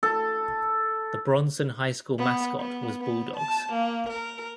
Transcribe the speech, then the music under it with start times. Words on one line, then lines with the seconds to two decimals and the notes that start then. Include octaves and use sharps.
The Bronson high school mascot was Bulldogs.
0.03 A4
2.19 B3
2.59 B3
3.00 B3
3.37 A5
3.72 A#3
4.09 A#4